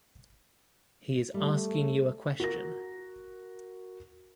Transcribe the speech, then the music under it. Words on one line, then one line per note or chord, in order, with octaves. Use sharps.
He is asking you a question.
G3 A3
F#4 A#4 A#6